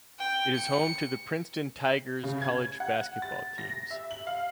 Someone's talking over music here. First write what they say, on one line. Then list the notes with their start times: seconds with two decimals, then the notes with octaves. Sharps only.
It is home to the Princeton Tigers college basketball teams.
0.19 G5
0.55 C#7
2.23 C#3
2.42 G#6
2.80 F#5
3.22 A6
3.58 A#6
3.91 E5
4.11 F#7
4.27 F5